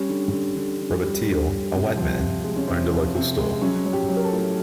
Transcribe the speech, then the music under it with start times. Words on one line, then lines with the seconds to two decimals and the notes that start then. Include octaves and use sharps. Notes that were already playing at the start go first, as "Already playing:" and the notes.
Robert Teel, a white man, owned a local store.
Already playing: G3 C#4
0.09 D3
0.32 D3
0.56 D3
0.80 D3
1.03 G3
1.27 D3
1.50 G3
1.73 C3
1.97 F3
2.20 C3
2.44 G#3
2.56 C#4
2.67 C3 C4
2.91 F3
3.15 C3
3.38 G#3
3.61 F#3 C#4
3.85 F#3
3.93 G4
4.08 F#3
4.16 A#4
4.24 A4
4.32 A2